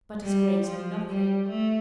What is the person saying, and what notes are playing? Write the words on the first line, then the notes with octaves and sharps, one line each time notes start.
But his Grace knew nothing.
G3
F3
G3
A3